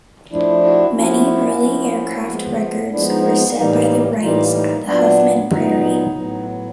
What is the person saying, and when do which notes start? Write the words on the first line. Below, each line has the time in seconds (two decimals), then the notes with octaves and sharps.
Many early aircraft records were set by the Wrights at the Huffman Prairie.
0.32 F3 A3 D4 E4
0.64 E4 F#4
0.97 F3 A3 C#4 E4 F#4
1.62 F3 A3 C#4
2.27 F3 G#3 B3
2.91 F3 G#3 B3 D4 E4
3.08 D#4
3.25 D#4
3.57 A2 E3 G3 A#3 D#4
4.21 A2 E3 G3 A#3 D#4 F4
4.54 D#4
4.86 A#2 F#3 B3 D4
5.51 A#2 F#3 B3 D#4
6.16 A2 F#3 B3